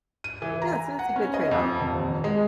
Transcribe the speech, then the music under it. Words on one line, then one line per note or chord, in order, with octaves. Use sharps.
Yeah, so it's a good trade-off.
D#7
E3
A#5
F#5
C#4
D#5
F2
D#1
G#3